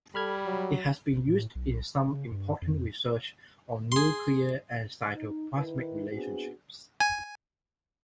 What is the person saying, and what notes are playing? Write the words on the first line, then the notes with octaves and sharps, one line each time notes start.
It has been used in some important research on nuclear and cytoplasmic relationships.
G3 A4 B5 F6 G#6
F#3
A2
B1
C#3
G2
F2
G#4 C6
D#4
D#3 E4 B4
B3 C4 D4 F#4 G#4
G#5